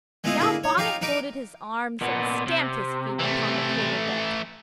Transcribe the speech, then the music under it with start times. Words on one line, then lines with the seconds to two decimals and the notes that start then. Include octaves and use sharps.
Now Bonnet folded his arms and stamped his feet upon the quarter-deck.
0.24 G#3 A3 B3 E4 F4 D#5
0.38 D3 A#3 E4 G#4
0.64 C#5
0.77 D#4 F4 G4 F5 A#5
1.01 D#4 A#4 B4 D6
2.02 A#2 B3
2.47 C3
3.19 E3 A3